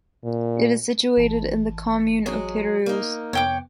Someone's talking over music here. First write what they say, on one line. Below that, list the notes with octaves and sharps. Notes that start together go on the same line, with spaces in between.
It is situated in the commune of Pérouse.
A#2
G#1 E3 A5
F#3 G#3 G#4
A#3 D#4
F2 C3 B3 C#5 G5 D6